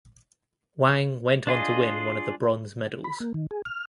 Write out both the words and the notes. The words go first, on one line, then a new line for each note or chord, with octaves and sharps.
Wang went on to win one of the bronze medals.
D4 F4 G#4 D#5
B5
A#3
D#3
G#4
F6